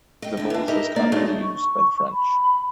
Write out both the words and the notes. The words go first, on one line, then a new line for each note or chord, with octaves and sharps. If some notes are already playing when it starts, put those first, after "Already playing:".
The voulge was commonly used by the French.
D#5 G5
A2 D3
E3 D4
D#4 E4 G4 A#4 D#5
D2 A#3 D5
F#3 G#3 A3 D4 D#4 D5
C#6
B5